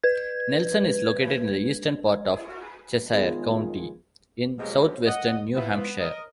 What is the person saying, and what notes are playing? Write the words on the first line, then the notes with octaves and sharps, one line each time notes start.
Nelson is located in the eastern part of Cheshire County, in southwestern New Hampshire.
B4 G#6
D#3 G#3 B3 F4 G#4
B2 F3 F#3 G#3 A#3 G4
D#5 F#5
E3 B3 F4 C5
A#4 D#5